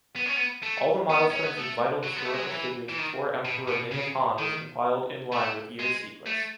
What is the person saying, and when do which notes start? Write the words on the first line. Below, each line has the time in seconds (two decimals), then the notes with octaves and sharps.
All the milestones and vital historical figures before Emperor Ming of Han was compiled in line with year sequence.
0.16 B3
0.26 C#4
0.36 B3
0.63 A3
1.10 B3
1.31 C#4
1.44 B3
1.57 A3
2.04 F#3
2.16 B3
2.25 A3
2.34 G#3
2.42 F#3
2.51 E3
2.89 E3
2.98 D#3
3.45 B2
3.68 B2
3.91 C#3
4.39 D#3
5.32 A3
5.79 G#3
6.26 A3